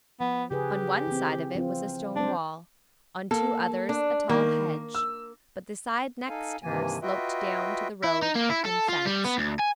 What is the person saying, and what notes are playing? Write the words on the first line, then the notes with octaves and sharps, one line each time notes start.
On one side of it was a stone wall, on two others a tall hedge, but the side next her sloped down to the road, unfenced.
F3 B3
C#3 G4 G#4 B4
E3 C4
F3 C4 F4
F#3 C4 D4 C5
A#3 A4
D4
D#3 A#3
E6
D#4 A4 F5 G#5
G2 C3 D#3 E3 A#3 G#5
F4 F#4 B4 D#5 E5 G5
E4
D#4
A#3
E4
A4
F4
G3
B3
D2
G#5